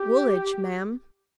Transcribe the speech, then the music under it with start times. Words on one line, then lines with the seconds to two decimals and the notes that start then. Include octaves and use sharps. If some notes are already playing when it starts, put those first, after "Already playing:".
"Woolidge, ma'am."
Already playing: G4